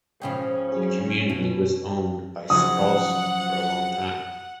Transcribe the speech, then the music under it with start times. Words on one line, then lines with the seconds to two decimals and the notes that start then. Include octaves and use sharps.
The community was owned by Stralsund for a long time.
0.22 G#2 C#3 F3 C#4 G5 G#5 B5
0.72 F#3 C4 G#4
1.29 B2
2.50 C#3 F3 F#3 F#5 D#6